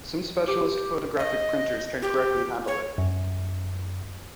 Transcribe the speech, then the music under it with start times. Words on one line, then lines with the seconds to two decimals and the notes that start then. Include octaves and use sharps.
Some specialist photographic printers can correctly handle it.
0.48 G4
1.19 D#5
2.02 G4
2.67 C#5
2.98 F#2